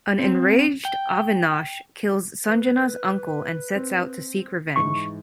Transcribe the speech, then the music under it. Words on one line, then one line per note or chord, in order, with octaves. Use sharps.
An enraged Avinash kills Sanjana's uncle and sets out to seek revenge.
C4
G5
B4
C4
G#2 E3 C#6